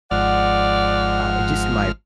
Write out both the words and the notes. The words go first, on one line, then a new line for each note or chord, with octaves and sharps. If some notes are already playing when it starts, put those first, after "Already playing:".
uh, just in my opinion,
G#1 G#2 F3 D5 F#5 F6